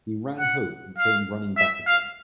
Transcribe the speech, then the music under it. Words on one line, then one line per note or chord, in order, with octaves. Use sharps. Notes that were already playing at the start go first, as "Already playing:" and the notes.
He ran home and came running back again.
F#5
F5
E5
F5